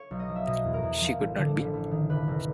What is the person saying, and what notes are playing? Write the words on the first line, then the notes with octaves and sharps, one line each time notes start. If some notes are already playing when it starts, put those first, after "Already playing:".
She could not be.
Already playing: C#5
B1
D#5
F3
E5
B2 D#5
E2
A#4
E2
F3
A1
D3
A1
A1
D#3
F1 B4
F1